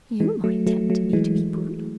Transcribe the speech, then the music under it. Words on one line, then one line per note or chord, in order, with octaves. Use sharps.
You might tempt me to be brutal.
E3 G#3
F#3 A3
F#3 A3
F#3 A3
E3 G#3